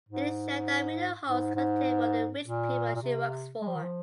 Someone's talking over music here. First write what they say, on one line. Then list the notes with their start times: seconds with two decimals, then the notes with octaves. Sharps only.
It is shown that Meenal holds contempt for the rich people she works for.
0.09 G#2
1.26 G#2
1.55 G#2
2.43 A#2
2.95 A#2
3.02 C3
3.61 G#3
3.68 F3
3.75 D#3
3.83 F3